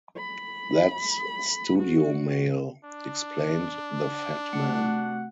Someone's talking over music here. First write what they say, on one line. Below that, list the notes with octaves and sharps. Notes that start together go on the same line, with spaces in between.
"That's studio mail," explained the fat man.
B5
F#4
D4
C3 A3 F#4 F#5